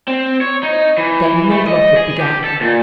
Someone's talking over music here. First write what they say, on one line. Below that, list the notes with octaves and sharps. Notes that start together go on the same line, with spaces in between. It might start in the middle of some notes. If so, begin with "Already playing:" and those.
Then Lord Rufford began.
C4
C#5
D#4
E3
A3
D#5
G#4
G4
A4
A#2